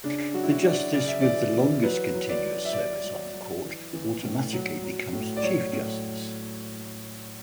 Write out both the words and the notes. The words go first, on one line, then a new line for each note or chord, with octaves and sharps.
The justice with the longest continuous service on the court automatically becomes Chief Justice.
C#3 D4
F#3 F#4
E4
F#4
F#3 D5
C#3 D5
E5
E3 D5
E3
F#3 B4
F#3
D5
F#3
E5
F#3 D5
F#3
F#3
E3
E3
A2
F#3
F#3
A2
D5
F#3 C#5
A2